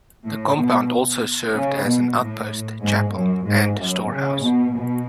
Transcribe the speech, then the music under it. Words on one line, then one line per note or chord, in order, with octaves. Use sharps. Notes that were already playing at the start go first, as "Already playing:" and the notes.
The compound also served as an outpost, chapel, and storehouse.
A2
B2
C#3
B2
A2
G#2
F#2
G#2
F#2
C#3
B2
B2